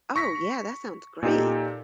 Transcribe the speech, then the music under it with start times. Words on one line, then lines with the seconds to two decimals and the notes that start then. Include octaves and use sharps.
Oh, yeah, that sounds great.
0.16 C#6 A#6 B6
1.23 A#2 D#4 G4 A4